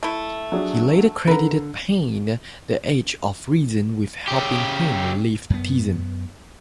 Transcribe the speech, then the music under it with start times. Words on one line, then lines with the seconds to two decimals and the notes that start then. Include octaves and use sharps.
He later credited Paine's "The Age of Reason" with helping him leave theism.
0.03 A3 E4
0.52 F#3 D4 G#4
1.27 D3 A#4 B4
4.28 C#3 G4
5.50 F#2 B3